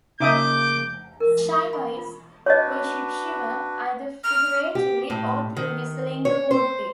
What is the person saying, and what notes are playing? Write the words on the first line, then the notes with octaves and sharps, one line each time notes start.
Shaivites worship Shiva, either figuratively, or through his Lingam murti.
C#3 A#3 D#4 E5 D6 D#6 G6
A#4
C#6
B5
F4
D4 F#4 B4 C#5 D#5
F6
G4
A2
D#3
C#5
C5